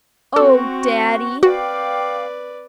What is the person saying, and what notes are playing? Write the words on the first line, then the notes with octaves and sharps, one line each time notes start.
Oh, daddy!
C4 F#4 A4 C#6
F#4 B4 D5 F5 G5 D6